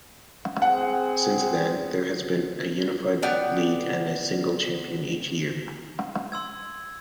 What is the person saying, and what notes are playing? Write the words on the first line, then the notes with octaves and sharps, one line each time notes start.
Since then, there has been a unified league and a single champion each year.
C4 G#4 F#5
B3 D5 F#5 G5
C6 E6 G#6